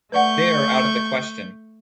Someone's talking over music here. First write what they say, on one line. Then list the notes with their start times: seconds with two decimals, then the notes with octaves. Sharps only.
They're out of the question.
0.12 A3 B4 D5 F#5 C#6 G6